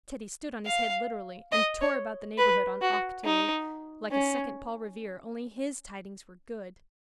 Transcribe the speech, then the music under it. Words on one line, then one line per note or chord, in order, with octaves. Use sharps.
Teddy stood on his head literally, and tore about the neighbourhood on Octoo, like a second Paul Revere--only his tidings were good.
F5
D#5
C#5
B4
F#4
D#4
C#4